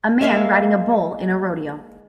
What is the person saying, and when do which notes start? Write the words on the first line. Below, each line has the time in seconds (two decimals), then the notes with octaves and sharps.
A man riding a bull in a rodeo.
0.21 G#3 A#3 E5 F5